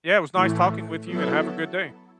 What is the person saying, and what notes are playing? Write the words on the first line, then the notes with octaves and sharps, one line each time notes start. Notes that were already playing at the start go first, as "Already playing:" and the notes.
Yeah, it was nice talking with you, and have a good day.
A2 E3 A3
F#3 B3 E4 A4